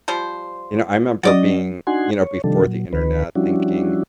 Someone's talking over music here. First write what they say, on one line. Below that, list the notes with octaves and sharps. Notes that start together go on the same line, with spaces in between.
you know, I remember being you know, before the Internet thinking,
F3 G3 C5
F#3 C#4 F#4 D5 D#5
D4 D#4 F#4 F#5 G#5 C6
C#5
C3 D#3 F3 G3 D4 A4
A#2 F#3
D2 D#3 B4
F3 G3 C#4 D4 E4 F#4